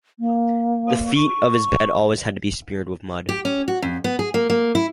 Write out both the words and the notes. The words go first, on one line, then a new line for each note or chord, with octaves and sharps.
The feet of his bed always had to be smeared with mud.
A#3
C#6
G4
C#4
F#4
F2
B3
G#4
A#3
A#3
E4